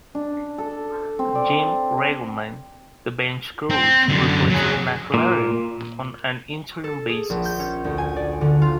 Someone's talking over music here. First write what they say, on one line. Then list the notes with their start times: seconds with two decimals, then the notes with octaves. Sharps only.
Jim Riggleman, the bench coach, replaced McLaren on an interim basis.
0.15 D4
0.58 A4
1.19 C4
1.35 D5
3.70 C4
4.09 F#2 D3
4.50 F#3 G#4
5.14 A#2
6.84 A4
7.09 G#4
7.30 A#1
7.45 G6
7.59 C#4
7.84 D2
7.98 G#5
8.16 D5
8.41 D3
8.62 F4